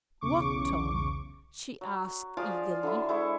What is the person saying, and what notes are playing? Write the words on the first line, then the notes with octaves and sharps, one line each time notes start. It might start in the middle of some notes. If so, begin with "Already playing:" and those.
"What, Tom?" she asked eagerly.
B1 E2 C#3 C#6 D6
F#3
F3 F4 G#4 D5
D3 F#3 E4
G#3 E4 C5 C#6